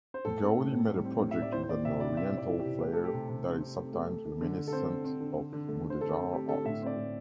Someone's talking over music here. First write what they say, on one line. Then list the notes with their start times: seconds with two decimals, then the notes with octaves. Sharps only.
Gaudi made a project with an oriental flare that is sometimes reminiscent of Mudejar art.
0.14 C5
0.25 A2 A4
0.41 C4
0.57 A2
0.72 A2
0.88 G3
1.04 C4
1.20 A2
1.31 E5
1.37 A2
1.42 D5
1.52 E3 C5
1.63 C5
1.69 E3 D5
1.85 C3 E5
2.00 C3 D5
2.17 C4 E5
2.32 C3
2.37 D5
2.49 E3
2.59 G4
2.65 C3
2.80 A3 G4
2.93 A3 A4
3.04 G4
3.13 C3
3.29 C3
3.45 C4
3.60 C4
3.77 A3
3.93 A3
4.08 A3
4.25 A3
4.41 D3
4.57 D3
4.68 A4
4.73 C4 C5
4.88 D3
5.04 C4
5.20 D3
5.37 D3
5.53 D3
5.68 A3
5.84 D3
5.90 C5
6.01 D3 A4
6.17 C4
6.33 A3 G4
6.49 D3 A4
6.64 A2 E5
6.82 C4 D5
6.96 A2